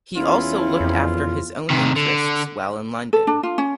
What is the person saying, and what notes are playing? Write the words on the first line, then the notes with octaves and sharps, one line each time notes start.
He also looked after his own interests while in London.
E2 C#4 E4 F4
F2
C3 D#3
D3
A4
D4
F4
C#4